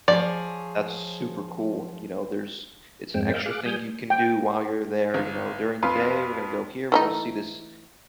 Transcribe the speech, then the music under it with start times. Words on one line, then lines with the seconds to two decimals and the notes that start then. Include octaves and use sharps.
that's super cool, you know? There's it's an extra thing you can do while you're there, you know? "During the day, we're gonna go here, we're gonna see this
0.08 F3 G#4 C#5 D5
3.14 F2 G#2 G#3 C4 G5
3.34 A#4 D#5 F5 D6 E6 G6
3.46 G#4 F5 D6 F#6
3.66 G3 G#5 D#6 G6
4.10 G5
5.14 G1
5.83 F2 B4 F5 C6
6.92 E3 A3 D#4